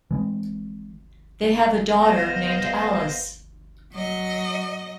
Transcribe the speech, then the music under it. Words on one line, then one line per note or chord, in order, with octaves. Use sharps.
They have a daughter named Alice.
E3 G#3 C4
B3 G#4 A#4 C5 D#5 F5
F#3 D#5